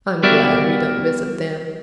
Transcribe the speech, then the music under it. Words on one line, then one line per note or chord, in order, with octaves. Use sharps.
I'm glad we don't visit them.
G3 B3 F#4 A#4 D5 E5